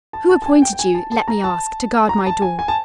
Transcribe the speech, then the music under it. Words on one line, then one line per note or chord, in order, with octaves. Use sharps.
Who appointed you, let me ask, to guard my door?
A5
A5
A5
G#5
G5
G5
G#5
A5
A5
A#5
A5
A#5
A5
G#5
G#5
A5